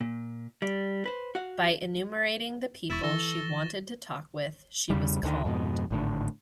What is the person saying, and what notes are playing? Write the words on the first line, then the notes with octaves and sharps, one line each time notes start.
By enumerating the people she wanted to talk with, she was calmed.
A#2
G3 D5
B4 C5
F#4 F5 F#5
E1 E4 C#6 A6 E7
E3 A4 A#6 G7
E2 C#3 G3
D2 D3 D#3
F2 G#2 B2
G#1 A2 D3